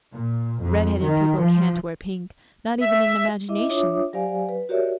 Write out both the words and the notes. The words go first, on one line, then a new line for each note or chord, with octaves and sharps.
Redheaded people can't wear pink, not even in imagination.
A#2
F2
D#3
F3
E5
E4 D#5 E5 D6
D4 F4 C#5 E5 D6 D#6
F#3 G4 C5 D5 F5 G#5
B4
F#4 G4 A#4 C#5 D5 E5